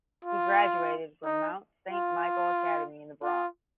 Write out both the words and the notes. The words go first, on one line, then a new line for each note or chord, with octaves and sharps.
He graduated from Mount Saint Michael Academy in the Bronx.
F4
D#4
F4
F4